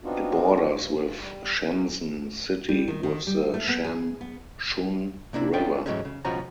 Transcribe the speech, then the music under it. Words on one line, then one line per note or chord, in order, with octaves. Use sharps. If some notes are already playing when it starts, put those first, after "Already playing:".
It borders with Shenzhen city with the Sham Chun River.
B3 C4 D4 D#4 F4 F#4
G2
G3
G3
D#3
D#3
G3
A3
B3
G#4
B3
C3 A#3 D4 E4
B3 C#4 D4 F4 E5 G5
G#2 E3 F#3 G#3 A3 C#4
C#3
C#2 B2 F3 C#4 F#4 A#5